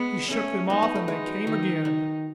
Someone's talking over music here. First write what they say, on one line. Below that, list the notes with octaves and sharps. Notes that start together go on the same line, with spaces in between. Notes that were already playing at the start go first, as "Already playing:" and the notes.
He shook them off--and they came again.
Already playing: G#3 B3
A3 C#4
B3 D#4
B3
A3
G#3 D#4
F#3
D#3
D#3